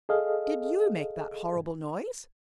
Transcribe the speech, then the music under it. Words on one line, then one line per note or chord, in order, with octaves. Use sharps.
"Did you make that horrible noise?"
G#4 A4 D#5 F5